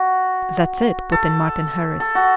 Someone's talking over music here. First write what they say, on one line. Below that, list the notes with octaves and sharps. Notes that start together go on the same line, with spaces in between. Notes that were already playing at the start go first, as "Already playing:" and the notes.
"That's it," put in Martin Harris.
Already playing: F#4
A4
A4
F#4